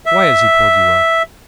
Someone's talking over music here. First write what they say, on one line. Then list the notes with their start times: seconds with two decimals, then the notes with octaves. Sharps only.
Why has he pulled you up?
0.06 E5